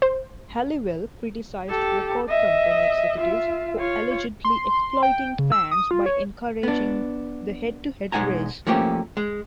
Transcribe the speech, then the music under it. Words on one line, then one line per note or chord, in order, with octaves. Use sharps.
Halliwell criticised record company executives for allegedly exploiting fans by encouraging the head-to-head race.
C5
G4 A4
D#5 E5
F4 E5
F4 C#5
C6
G5
C#3
E6
D#6
F4
C#5
B3 D4
B1 G#3 D#4 F#5 G#5 A#5
F3 A3 A#3 C#4 G4
G#3